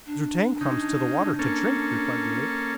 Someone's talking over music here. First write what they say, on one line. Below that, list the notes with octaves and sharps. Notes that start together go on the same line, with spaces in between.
"Zu-tag comes to the water to drink," replied the ape.
D4
C#3 D#4
A#3 C#4 A4